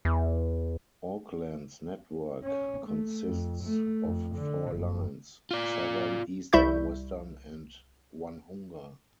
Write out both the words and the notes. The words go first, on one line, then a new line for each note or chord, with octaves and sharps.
Auckland's network consists of four lines: Southern, Eastern, Western and Onehunga.
E2
C#4
A3
F2
A3
F2
D3
F#1
F4 D5
C2 G3 E4 E5 C#6 G6